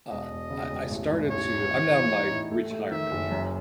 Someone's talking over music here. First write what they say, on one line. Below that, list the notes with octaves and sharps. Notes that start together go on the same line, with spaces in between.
uh, I- I started to I'm now in my retirement years,
E1 D#5
E1
C#3
E1
A1
G#2
A1 C#5
G#2
E3
E3
D#4
A2
A3
A3
D#3 E5
F#1
F#2